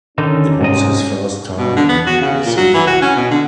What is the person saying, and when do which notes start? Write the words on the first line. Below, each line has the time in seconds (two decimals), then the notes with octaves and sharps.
It was his first time in Recife.
0.18 D3 D#3 C#4 D#4
0.61 G#2 C3 D#5
1.58 B2
1.76 D3
1.89 B3
2.06 F#4
2.21 C#3
2.45 A#2
2.57 F#3
2.74 E3
2.87 F#4
3.02 C#4
3.16 B2
3.31 D3